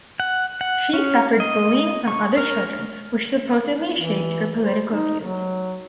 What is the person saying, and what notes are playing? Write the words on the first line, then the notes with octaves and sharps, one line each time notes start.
She suffered bullying from other children which supposedly shaped her political views.
F#5
F#5
C#4
D#5
C#6
A#4
E3
C5
D#4
F#3